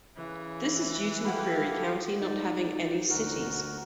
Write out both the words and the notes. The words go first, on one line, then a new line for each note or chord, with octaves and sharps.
This is due to McCreary County not having any cities.
C#3 E3
E4 G4 A4 F5 F#5 B5
D#4 D5
D2 F#4 A#4